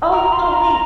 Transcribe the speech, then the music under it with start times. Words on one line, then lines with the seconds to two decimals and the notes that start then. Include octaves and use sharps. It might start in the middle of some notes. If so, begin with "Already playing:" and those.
Oh, oh, wait.
0.12 A#5
0.33 C6
0.53 A#5